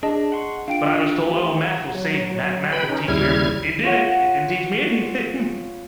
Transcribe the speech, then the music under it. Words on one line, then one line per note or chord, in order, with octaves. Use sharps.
but I was told, "Oh, math will save you. Ma math will teach you everything." It didn't. It didn't teach me anything
D4 G#4 D#5 A5
F#5 C6 C#6
D4 F4 F5 G5 D7
A3 G4
F#5 D#6
F#3
B4 G5 B5
C#4 D#4
D#2 C#3 G3 E4 F6 G#6
F4 C#5 F#5